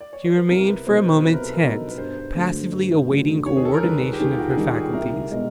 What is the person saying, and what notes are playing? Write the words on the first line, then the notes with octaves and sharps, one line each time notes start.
She remained for a moment tense, passively awaiting co-ordination of her faculties.
D5
C#5
C5
B4
C2 A#4
B4
B2 F#3 B3 D#4 C5
B4
C2 B4
A#4
A4
A#4
B2 F#3 B3 D#4
B4
G2 C5
D3 F#3 A3
G2
D3 F#3 A3
D#2 C#5
G#4
A4
A#4
D#3 G3 B4
G4
D#2 G#4
F4
F#4
G#4
D#3 G3 G4
G#4
C2 A#4
B2 G#3